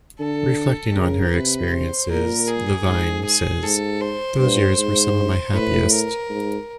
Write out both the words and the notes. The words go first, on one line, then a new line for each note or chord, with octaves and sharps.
Reflecting on her experiences, Levine says those years were some of my happiest.
D3 A4
C#3 A#4
C3 B4
C5
A#2 A#4
G#4
G#2
G#4
G#2 A4
C5
G2 C5
G#2
A2 B4
A#4
G#2